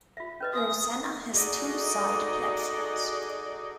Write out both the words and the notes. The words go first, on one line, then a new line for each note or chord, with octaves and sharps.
Rosanna has two side platforms.
F4 E5
C#4 B4 D#5
F#4 E5 G#5 D#6
D#4 F#4 G#4 A4 D5 D#5